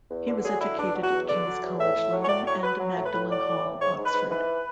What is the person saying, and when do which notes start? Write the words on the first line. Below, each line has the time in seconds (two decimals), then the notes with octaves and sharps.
He was educated at King's College London and Magdalen Hall, Oxford.
0.09 E2
0.26 D3
0.43 F#3 G#4
0.60 D3 E4
0.78 E2 D4
0.94 F#3
1.03 F#4
1.10 E2
1.27 D3 D5
1.44 F#3
1.62 E2
1.78 A2 E5
1.95 A2
2.12 F#3
2.22 C#5
2.28 A2 D5
2.45 F#3 C#5
2.62 F#3 B4
2.79 F#3
2.96 A2
3.05 B4
3.13 A2
3.30 F#3 D5
3.47 A2
3.63 A2
3.80 G#2 C#5
3.97 G#2
4.06 B4
4.14 G#2
4.31 E3 B4